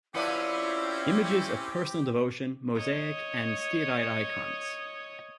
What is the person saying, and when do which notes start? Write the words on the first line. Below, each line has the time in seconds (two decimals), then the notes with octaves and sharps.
Images of Personal Devotion: Mosaic and Steatite Icons.
0.15 F3 C4 C#4 E4 G4 B4 D5
2.76 C#5 D#5